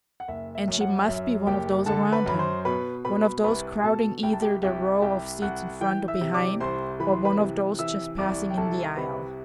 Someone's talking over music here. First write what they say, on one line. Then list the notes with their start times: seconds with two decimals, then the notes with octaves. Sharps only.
And she must be one of those around him--one of those crowding either the row of seats in front or behind, or one of those just passing in the aisle.
0.20 F#5
0.28 F#1 E5
0.55 E5
0.68 F#2
0.81 F#5
1.08 F#2 E5
1.46 F#1 G4 G5
1.86 D3 A4 A5
2.12 B4 B5
2.26 F#2 B5
2.39 C5 C6
2.65 B2 B4 B5
3.05 B2 B4 B5
3.44 C2 B4 B5
3.83 B2 A4 A5
4.23 C2 G5
4.33 A5
4.42 G4 G5
4.63 C2 G4 G5
5.02 C2 G4 G5
5.42 C2 F#5 F#6
5.81 E3 G5 G6
6.08 E5 E6
6.21 C3
6.34 D5 D6
6.60 C2 C5 C6
7.00 E3 B5
7.13 C6
7.25 B4 B5
7.39 C3
7.79 E3 E5 E6
8.18 C2 D5 D6
8.51 G5
8.57 C2 A4 A5
8.97 C3 B4 B5